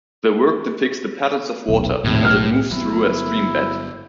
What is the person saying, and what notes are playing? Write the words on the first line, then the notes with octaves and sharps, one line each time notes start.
The work depicts the patterns of water as it moves through a stream bed.
D#1 B1
A#1 D#2 A2 C3
B1 F6
G1 F#3 B3 E4